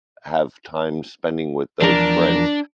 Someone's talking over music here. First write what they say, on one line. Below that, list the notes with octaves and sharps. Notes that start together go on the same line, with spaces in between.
have time spending with those friends.
E2 F3 D4 A#4